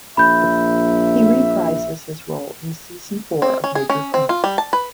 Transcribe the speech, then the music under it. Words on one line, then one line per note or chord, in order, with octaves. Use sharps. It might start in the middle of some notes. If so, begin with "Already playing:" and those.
He reprises this role in season four of "Major Crimes".
A#1 E5 B5 G6
C4
C#4
G#4
C#4
C4
F4
G3
A5
B4